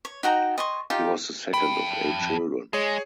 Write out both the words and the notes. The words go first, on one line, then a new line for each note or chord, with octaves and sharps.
He was the second of eight children.
C#5
D#4 F#4 G5 A#5
D#5 C6 C#6
D#4 F4 G4 G5
F2 G5 B5
G#3 G#4 C#5